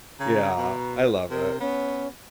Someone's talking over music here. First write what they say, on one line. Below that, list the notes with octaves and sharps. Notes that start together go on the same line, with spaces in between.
Yeah, I love it.
C#3 A#5
B2
C3 A#4
B3 C#4